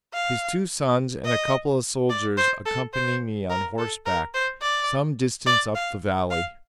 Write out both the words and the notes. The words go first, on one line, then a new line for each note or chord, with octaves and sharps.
His two sons and a couple of soldiers accompany me on horseback some distance up the valley.
F5
D#5
D5
C5
A4
C5
A#4
A4
A#4
C5
D5
D5
F5
F5